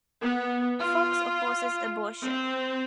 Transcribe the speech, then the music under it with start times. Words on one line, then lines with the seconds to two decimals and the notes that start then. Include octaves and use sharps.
Foxx opposes abortion.
0.20 B3
0.80 F4
2.22 C4